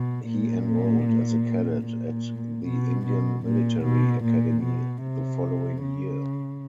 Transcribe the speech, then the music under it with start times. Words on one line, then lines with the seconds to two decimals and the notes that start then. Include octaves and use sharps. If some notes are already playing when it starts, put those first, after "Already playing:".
He enrolled as a cadet at the Indian Military Academy the following year.
Already playing: B2
0.29 A#2
1.87 A#2
2.66 B2
3.06 B2
3.45 A#2
3.84 B2
4.23 A#2
4.63 B2
5.03 C3
5.82 C#3